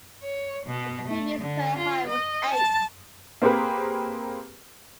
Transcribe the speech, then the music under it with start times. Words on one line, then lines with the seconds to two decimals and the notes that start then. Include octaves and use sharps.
His previous career high was eight.
0.22 C#5
0.67 B2
1.08 A3
1.41 D3
1.77 F4
2.08 D#5
2.52 A5
3.42 A#3 C4 G4 G#4 A#4 B4